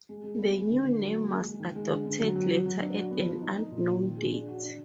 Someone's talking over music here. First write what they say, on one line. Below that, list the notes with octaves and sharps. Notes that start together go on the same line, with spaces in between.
The new name was adopted later at an unknown date.
G#3
G#3
B3
G#3
D3
D3
F#3
A#3
G#3
G#3
D#3
G#3
D3
D3
F#3
F#3
F#3
F#3
D4
F#4
B3
F3
D#4
D#4
A#2
F3
D#3
G#4
D4
F#4
D4